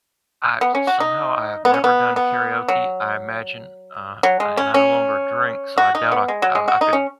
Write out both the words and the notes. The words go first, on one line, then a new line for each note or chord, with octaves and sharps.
I somehow, I have never done karaoke, I imagine uh, and I no longer drink, so I doubt I c I I could
B3
C#4
F#4
D#4
B3
C#4
B3
B3
F#3
F#3
G#3
C#4
C#4
F#4
D#4
B3
G#3
F#3
G#3
F#4
D#4
C#4